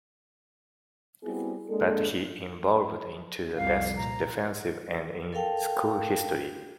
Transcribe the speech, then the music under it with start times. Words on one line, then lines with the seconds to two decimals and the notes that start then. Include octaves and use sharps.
But he evolved into the best defensive end in school history.
1.23 G3 B3 C4 E4 F#4 G#4
1.69 G#3 A#3 D4 A4
3.57 C2 F2 G3 F5
3.97 A#2 A#5
5.33 A4 A#4 F5 G5 A5